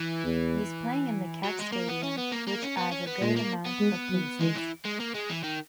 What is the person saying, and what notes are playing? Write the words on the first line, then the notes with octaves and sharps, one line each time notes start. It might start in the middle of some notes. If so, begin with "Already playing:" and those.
He’s playing in the Kef stadium which as a good amount of places.
Already playing: E3
E2
F#3
G#3
A#3
B3
C#4
B3
A#3
A#3
C#4
B3
C#4
B3
A#2 G#3
A#3
B3
G#3
F#3
E3 G#3
E3
G#3
A#3
G#3
E3
D#3